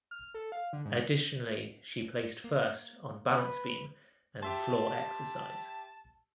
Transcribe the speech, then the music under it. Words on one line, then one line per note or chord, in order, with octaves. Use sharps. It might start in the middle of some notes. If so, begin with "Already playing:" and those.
Additionally she placed first on balance beam and floor exercise.
F6
A4
F5
D3
G#2
A#3
B4
G4 E5 A5 C6